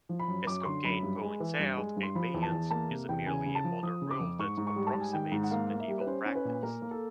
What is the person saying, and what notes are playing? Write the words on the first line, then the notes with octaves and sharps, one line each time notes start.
As Cokayne points out, abeyance is merely a modern rule that approximates medieval practice.
F3
B5
F#2
F#2 D6
C#6
D3 C6
F#2 B5
G2
G#3
E3
G2
G#3
G2
C6
F3 B5
E2
A5
E2
A#3 A5
C3
E2 G5
C#3 G#5
C#3
A5
F3
F3 D#6
C#3
D6
F2
G#2 C#6
G#2
C#6
G3
A5
G#2
G#5
D#3 G5
G#2
F#5
A#3 F5
A#3
E5
G3
B4
C#4 C5
C#4
B4
A#2
A#3 A#4
A#3
A4